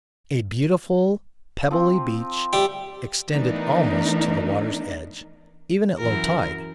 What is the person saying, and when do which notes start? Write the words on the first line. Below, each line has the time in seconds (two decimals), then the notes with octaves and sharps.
A beautiful pebbly beach extended almost to the water's edge even at low tide.
1.71 F3 C4
2.53 G3 E5 G5
3.31 E3 A3 B3 D4 D#4 A#4
5.98 F#2 E3 A#4